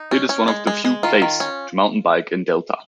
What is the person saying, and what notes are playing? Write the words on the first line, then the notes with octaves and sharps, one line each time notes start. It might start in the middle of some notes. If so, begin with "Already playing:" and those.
It is one of the few place to mountain bike in Delta.
Already playing: D#4
C#4
C#4
G#3
G#3
G#3
D#3 F4
D#3
C#4